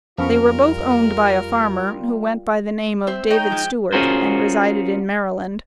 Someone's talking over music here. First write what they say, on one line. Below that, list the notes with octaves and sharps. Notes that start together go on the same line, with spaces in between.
They were both owned by a farmer, who went by the name of David Stewart, and resided in Maryland.
F2 F3 G3 B3 C#4 F4 A#4
C4 C5 E5
D#4 C#5 G5
F3 G#3
C#4 F4 F#4 G#4 A#4 C5